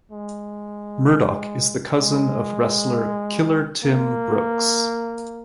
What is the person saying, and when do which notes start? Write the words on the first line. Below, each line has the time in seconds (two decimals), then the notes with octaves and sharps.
Murdoch is the cousin of wrestler Killer Tim Brooks.
0.11 G#3
1.97 G#3
3.83 A#3